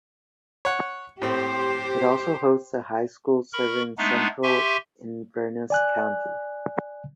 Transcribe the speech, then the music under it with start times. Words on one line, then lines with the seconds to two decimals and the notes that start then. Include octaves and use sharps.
It also hosts a high school serving central Inverness County.
0.65 C#5 F#5
1.22 A2 C4 G4 C5
3.53 A#4 B5 C#6
3.98 G#3 A3 B3 D4 D#4
4.43 G4 E5 G#5 C6 C#6
5.70 D5 G#5 F#6